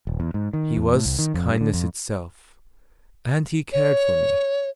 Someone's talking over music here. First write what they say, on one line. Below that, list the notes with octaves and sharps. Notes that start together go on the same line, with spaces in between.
He was kindness itself, and he cared for me.
D#1
E2
G#2
D#3
E2
A2
C2
D#3
F2
G2
D3
F2
C#5